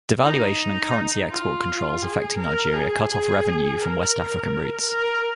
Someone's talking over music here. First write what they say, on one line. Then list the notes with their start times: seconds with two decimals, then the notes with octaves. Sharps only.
Devaluation and currency export controls affecting Nigeria cut off revenue from West African routes.
0.23 D#4
1.30 F4
2.02 G#4
2.38 A#4
2.74 G#4
3.10 G#4
3.82 A#4
4.89 A#4